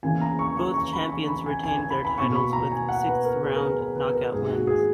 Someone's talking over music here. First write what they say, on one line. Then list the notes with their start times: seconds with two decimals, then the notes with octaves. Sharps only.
Both champions retained their titles with sixth-round knockout wins.
0.03 E2 C#3 E3 A#3 G#5
0.21 A#5
0.39 C#6
0.57 C#6
0.74 C#6
0.93 B5
1.10 C#6
1.28 B5
1.46 G#5
1.63 G#5
1.77 G#5
1.90 B5
2.05 B5
2.18 B2 A#3 C#6
2.36 B5
2.53 A#5
2.72 G#5
2.89 F#5
3.07 B4
3.25 A#4
3.43 G#4
3.55 A#4
3.60 B4
3.79 B4
3.96 B4
4.14 A#4
4.32 G#2 F#3 A#3 G#4
4.50 F#4
4.67 G#4